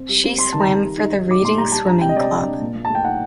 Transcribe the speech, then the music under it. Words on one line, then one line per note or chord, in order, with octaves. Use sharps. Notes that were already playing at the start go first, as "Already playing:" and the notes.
She swam for Reading Swimming Club.
Already playing: C4
G3
C4
C4 C6
D#3 A5
A#5
D#3
G3
D#4
D#4
D#4 D6
A#2 C6
G3 A#5
G3 A5
D4 A#5
C3 G5
D#5
C3 D5
C3
D4
A#2
A#2
A5
A3 G5
D#4 F#5